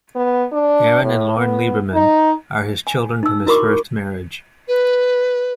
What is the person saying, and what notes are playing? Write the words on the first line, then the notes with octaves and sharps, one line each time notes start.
Erin and Lorne Lieberman are his children from his first marriage.
B3
D4
A2
B3
D#4
G#5
D#4 E6
E4 F#4 A#4 B5 C#6 D6
B4